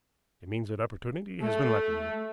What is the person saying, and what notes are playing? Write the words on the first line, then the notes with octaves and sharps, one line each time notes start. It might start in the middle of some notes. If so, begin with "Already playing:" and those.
It means that opportunity has been lacking.
A3